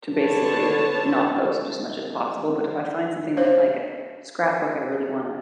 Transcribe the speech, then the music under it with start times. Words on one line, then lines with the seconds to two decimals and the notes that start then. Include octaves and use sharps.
to basically not post as much as possible, but if I find something that, like, a scrapbook I really wanna
0.19 D3 B4 C#5 A5
3.37 C5 C#5 F5